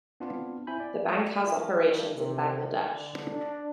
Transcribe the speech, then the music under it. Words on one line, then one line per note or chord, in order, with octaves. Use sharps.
The bank has operations in Bangladesh.
B3 C4 D4 F4
C4 E4 E5 G#5 B5 G6
D5
A3 D5
F4 A#4 E5
G2
C3
D3
D4